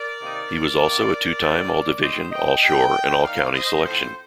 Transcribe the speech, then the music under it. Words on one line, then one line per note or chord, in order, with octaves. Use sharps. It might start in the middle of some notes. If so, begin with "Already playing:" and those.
He was also a two-time All-Division, All-Shore and All-County selection.
Already playing: A#4 D5
C3 D#3 A#3 D#4
C3 D#3 A#3
D3 G3 C4 D#4
D#3 G3 C4 C5 D#5
D#5 G5
A2 G3 D4 D#5 G5
D#3 A#3 D#4 D5 F5
C5 D#5
A2 F3 C4 A4 C5